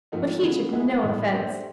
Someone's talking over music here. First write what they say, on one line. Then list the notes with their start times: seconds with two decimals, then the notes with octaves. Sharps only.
But he took no offence.
0.12 G#2 F3 A3 C4 D#4
0.42 C#3 E3 G#3 B3
0.72 G#3 B3 E4 G#4
1.02 A2 E3 G3
1.32 A3 D4 G4 C5 E5